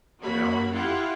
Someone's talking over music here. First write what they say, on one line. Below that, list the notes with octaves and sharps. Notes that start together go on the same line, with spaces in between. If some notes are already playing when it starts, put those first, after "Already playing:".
Now I knew!
F#3 A#3 F#4 B5
E4 F4 G4 F#5